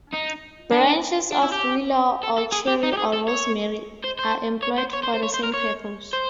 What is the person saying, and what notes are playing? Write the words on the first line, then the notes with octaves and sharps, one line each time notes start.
Branches of willow or cherry or rosemary are employed for the same purpose.
D#4
D4
D4
E4
G4
A4
A4
G#4
G4
D#4
G4
G#4
A4
C#5
C5
C5
C#5
C5
C#5
C5
C5
C#5
C5
A#4
C#5
C5